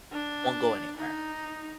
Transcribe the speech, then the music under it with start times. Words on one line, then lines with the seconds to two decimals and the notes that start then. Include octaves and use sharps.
won't go anywhere,
0.12 D4
0.97 D#4